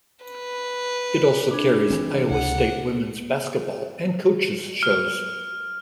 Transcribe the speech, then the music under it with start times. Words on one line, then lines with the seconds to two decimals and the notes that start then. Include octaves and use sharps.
It also carries Iowa State women's basketball and coaches' shows.
0.25 B4
1.50 D4 G#4
1.90 E3 C4
2.29 C#2 C3 F#5
4.83 F6